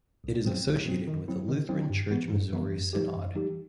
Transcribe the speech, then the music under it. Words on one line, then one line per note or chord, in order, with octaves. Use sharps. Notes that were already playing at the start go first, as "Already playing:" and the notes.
It is associated with the Lutheran Church Missouri Synod.
B1
B2 F#3 C4
B1
B2 F#3 C4
D#3
F#3 C4 E4
D#3
F#3 C4 E4
G2
E3 B3
G2
E3 B3
F#2
E3 G3 D#4 G4
F#2
E3 G3 D#4 G4